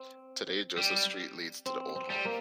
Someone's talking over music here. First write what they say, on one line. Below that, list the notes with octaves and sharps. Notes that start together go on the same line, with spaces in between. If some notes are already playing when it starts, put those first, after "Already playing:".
Today, Joseph Street leads to the old home.
Already playing: C4
G3
C4
C4
G3
A#3